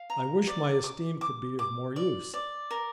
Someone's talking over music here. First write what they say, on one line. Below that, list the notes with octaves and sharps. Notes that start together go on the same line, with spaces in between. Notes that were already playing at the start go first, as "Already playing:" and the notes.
I wish my esteem could be of more use.
Already playing: F5
A#5
D5
D6
D6
D6
D5
D5
A#4